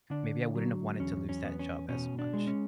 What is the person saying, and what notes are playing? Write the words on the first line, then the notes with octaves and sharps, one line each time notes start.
maybe I wouldn't have wanted to lose that job as much.
D3 D4
F#3
E2 C#4
C#4
B3
C#4
B2 C#4
D4
G#3
C#4